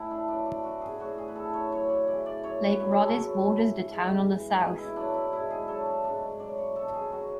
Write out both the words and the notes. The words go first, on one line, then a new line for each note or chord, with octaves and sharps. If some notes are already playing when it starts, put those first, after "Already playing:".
Lake Rhodhiss borders the town on the south.
Already playing: A2 E3 E4 A4 B4
D4
F#2 D4
D4
E3 F#4
G#4
A2 F#4
G#4
B4
E3 A4
C#5
F#2 C#5
D5
C#3 E3 D5
D5
F#2 C#5
B4
C#3 F#3
A4
F#2
E3
G#2
E3
B2 G#4
E4
F#3 D4
E4
G#2 E4
G#4
F#3 A4
D4
G#2 D4
F#3 D5
C#5
B2 A4
G#4
F#3 F#4